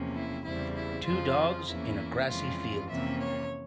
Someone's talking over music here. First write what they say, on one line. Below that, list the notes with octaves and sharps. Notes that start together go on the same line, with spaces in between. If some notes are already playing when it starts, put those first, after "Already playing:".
Two dogs in a grassy field.
Already playing: E2 C3 F3 A#3 C#4
E4
E2 C#3 G3 C4 E4
E4
F2 C#3 F3 F4
E2 E3 A#3 C#4 E4
F2 E3 G#3 C#4 F4
F2 C3 E3 A#3 C#4 E5
C#5